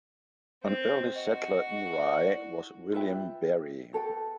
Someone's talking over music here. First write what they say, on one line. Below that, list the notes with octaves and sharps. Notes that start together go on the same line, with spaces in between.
An early settler in Rye was William Berry.
C4
F#4 D#5
D5
E4
F4 B4 E5 G5
F#4 A4 B4 G5